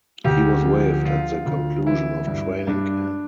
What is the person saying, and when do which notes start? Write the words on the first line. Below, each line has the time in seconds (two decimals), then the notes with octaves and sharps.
He was waived at the conclusion of training camp.
0.24 D2 G4
0.65 F3
1.05 D3 F4
1.45 D2
1.86 E3 E4
2.27 G2
2.67 G2 D4